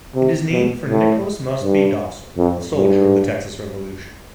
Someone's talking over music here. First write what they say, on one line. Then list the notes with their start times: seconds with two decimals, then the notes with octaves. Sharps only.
It is named for Nicholas Mosby Dawson, a soldier of the Texas Revolution.
0.15 C3
0.52 B2
0.88 A2
1.63 G2
2.37 F2
2.74 G2